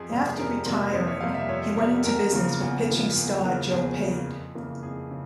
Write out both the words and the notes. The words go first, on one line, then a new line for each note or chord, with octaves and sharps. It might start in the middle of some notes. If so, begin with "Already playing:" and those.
After retiring, he went into business with pitching star Joe Pate.
Already playing: F2 G#4
C3 G3 A#3
G#4
F2 A#4
C3 G3 A#3
F2 C5
C#5
C3 G3 A#3 F5
E5
F2 C#5
C3 G3 A#3
E2 A#4
C#3 F3 A#3
E2
C#3 F3 A#3
E2 G#4
C#3 F3 A#3
E2 G#4
C#3 F3 A#3
F2
C#3 E3 A#3
F2 G#4
C#3